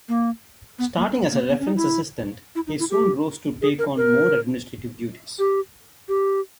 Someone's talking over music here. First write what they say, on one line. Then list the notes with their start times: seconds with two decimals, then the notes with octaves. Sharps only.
Starting as a reference assistant, he soon rose to take on more administrative duties.
0.09 A#3
0.79 B3
0.97 A#3
1.14 B3
1.32 A#3
1.50 B3
1.60 C#4
1.67 D#4
1.76 E4
2.55 E4
2.67 D#4
2.79 E4
2.91 G4
3.62 G#4
3.79 A#4
3.97 A#4
5.39 G4
6.08 G4